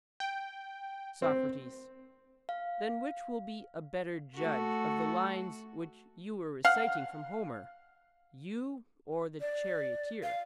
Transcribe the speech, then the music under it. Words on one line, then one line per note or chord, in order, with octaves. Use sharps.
SOCRATES: Then which will be a better judge of the lines which you were reciting from Homer, you or the charioteer?
G5
C4
F5
A3 F#4 A4
F5 F#5
D5
F5